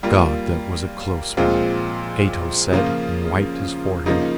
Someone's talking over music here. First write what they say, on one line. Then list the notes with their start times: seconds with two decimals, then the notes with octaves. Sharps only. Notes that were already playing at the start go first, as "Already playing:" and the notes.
"God, that was a close one," Ato said, and wiped his forehead.
0.03 G3 A#3 F4
1.37 A#2 F3 G#3 C4 F4
2.72 C#3 F3 A#3 F4
4.06 C#3 F3 A#3 D#4